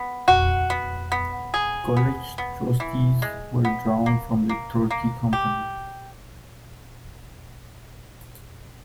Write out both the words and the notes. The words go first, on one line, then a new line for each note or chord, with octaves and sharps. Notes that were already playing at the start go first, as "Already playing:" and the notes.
College trustees were drawn from the Turkey Company.
Already playing: B3
F#4
B3
B3
G#4
B3
B3
E3
G#3
B3
A#3
A#3
A#3
G4